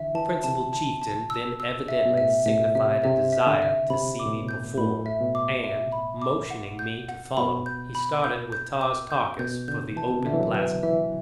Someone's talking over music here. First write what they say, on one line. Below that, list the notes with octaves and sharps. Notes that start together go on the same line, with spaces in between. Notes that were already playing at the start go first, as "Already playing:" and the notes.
The principal chieftain then evidently signified a desire to see me perform, and, motioning me to follow, he started with Tars Tarkas for the open plaza.
Already playing: D3 E3 E5
E3 A5
C3 A5
A5
A5
E6
E6
E5
B2
A2 E5
A2 E5
C3 E5
C3 E5
E5
D3
E5
C3 B5
D6
A2
B2
G6
A2 B5
E5
B2
D6
E5
B5
D6
F#5
G6
F#5
B2 B5
G6
B5
G6
G6
D6
G6
B2 G6
D3 G6
E3 A5
B2
C3
D3 E5
E3
F#3
B4
E3 E5